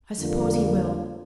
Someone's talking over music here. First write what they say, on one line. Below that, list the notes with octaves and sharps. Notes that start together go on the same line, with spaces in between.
I suppose he will.
F2 D3 G3 A#3 F4